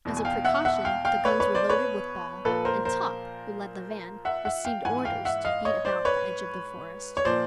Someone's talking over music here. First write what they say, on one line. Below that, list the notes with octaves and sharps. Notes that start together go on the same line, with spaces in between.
As a precaution the guns were loaded with ball, and Top, who led the van, received orders to beat about the edge of the forest.
E2 B2
G#5
F5 G5
E5 F#5
E5 F#5
F5 G5
F5 G5
B4 C#5
B4 C#5
C5 D5
B4 C#5
A#2 F3 A4 B4
A#4 C5
A#4 C5
E5 F#5
E5 F#5
F5 G5
G#2 E3 F#5 G#5
F5 G5
E5 F#5
D#5 F5
C#5 D#5
C5 D5
B4 C#5
C#5
A#2 F3 C5 D5